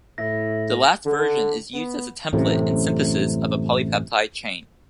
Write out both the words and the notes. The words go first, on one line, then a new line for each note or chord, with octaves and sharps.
The last version is used as a template in synthesis of a polypeptide chain.
A2 E4 A#6
D3
B3
A1 F#2 A2 C3